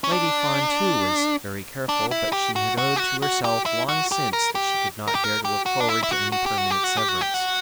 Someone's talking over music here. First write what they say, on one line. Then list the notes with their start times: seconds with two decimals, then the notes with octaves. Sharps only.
Lady Fawn, too, was very careful, but she had owned to herself long since that she could not bear to look forward to any permanent severance.
0.04 C#4
0.11 D4
1.89 D4
2.11 E4
2.33 G4
2.56 F#4
2.78 F#4
2.96 G4
3.00 F#4
3.22 F#4
3.45 G4
3.66 E4
3.89 F#4
4.12 G4
4.33 A#4
4.55 G4
5.08 A#4
5.15 G4
5.24 A#4
5.45 G4
5.66 F#4
5.80 D4
5.89 E4
6.03 E4
6.11 F#4
6.32 F#4
6.46 G4
6.58 F#4
6.70 G4
6.84 F#4
6.97 G4
7.08 F#4
7.21 G4
7.34 F#4